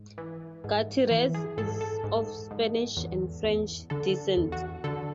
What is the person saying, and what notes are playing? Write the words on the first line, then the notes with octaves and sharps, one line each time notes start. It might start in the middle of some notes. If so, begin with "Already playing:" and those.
Gutierrez is of Spanish and French descent.
Already playing: G#2
E3
G#2
E3
G#4
G#2 A4
A4
G#2
G#2
E2
E2
D3 A4
E2
F#4
D3 A4